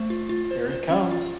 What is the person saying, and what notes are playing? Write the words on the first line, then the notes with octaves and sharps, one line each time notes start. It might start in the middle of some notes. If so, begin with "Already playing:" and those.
Here it comes!
Already playing: A3 C5
F4
F4
C5
C5
C#4
F4